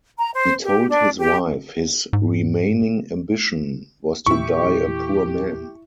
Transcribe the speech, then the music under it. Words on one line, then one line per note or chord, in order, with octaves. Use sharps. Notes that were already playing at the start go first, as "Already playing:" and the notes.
He told his wife his remaining ambition was to die a poor man.
A#5
C5
G4
D4
G4
G#2
E2 A#2 E3 E4 G4 E5 C#6